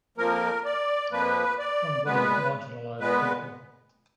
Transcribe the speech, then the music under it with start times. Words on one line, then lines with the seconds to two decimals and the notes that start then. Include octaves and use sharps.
Tom bullies marginalized people.
0.18 F2 F3 A#3 A#4
0.64 D5
1.11 F2 F3 A#3 B4
1.59 D5
2.06 A#2 G#3 B3 B4
3.00 A#2 G#3 B3 B4